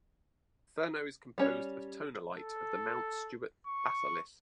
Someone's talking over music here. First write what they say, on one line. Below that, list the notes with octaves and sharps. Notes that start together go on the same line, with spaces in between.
Fernow is composed of tonalite of the Mount Stuart batholith.
G3 C#4 C#5
A4
C#6